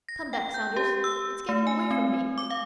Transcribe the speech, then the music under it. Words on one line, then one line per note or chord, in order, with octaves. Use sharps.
Come back, Saunders, it's getting away from me.
A#6
G5
G6
G4
E6
A3
G#5
C4
D6
F5